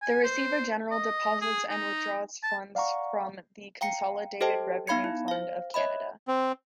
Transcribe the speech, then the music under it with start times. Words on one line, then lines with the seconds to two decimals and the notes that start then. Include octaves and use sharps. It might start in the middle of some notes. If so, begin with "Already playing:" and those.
The Receiver General deposits and withdraws funds from the Consolidated Revenue Fund of Canada.
0.02 G#5
0.24 C5
0.91 D#5
1.41 G#4
1.69 D#4
2.43 A5
2.75 D5 F5 F#5 A#5 C#6
3.81 F5 G5 A#5 C#7
4.41 G4 A4 C5 D#5 G5 A5
4.87 B3 D#4 F5 B5 G#6 C#7
5.04 E4
5.28 C5 F5
5.74 C#5 D#5 E5 B5
6.28 C4